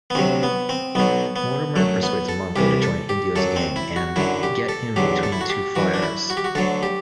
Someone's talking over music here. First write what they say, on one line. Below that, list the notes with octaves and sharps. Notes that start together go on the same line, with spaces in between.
Mortimer persuades Manco to join Indio's gang and "get him between two fires".
B3
D2 C3 F#3 C4
B3
C4
B1 B2 F#3 B3
B3
F#2 F#3 A3
B3
A4
C2 C3 E3 G4
A4
G4
F#2 F#3 A4
C4
E4
F#4
F#2 D3 F#3 E4
G4
A4
E2 D3 F#3 G4
A4
E4
F#4
G4
F#2 E3 F#4
D4
E4
F#4
G4
F#4
D2 D3 F#3 A4
G4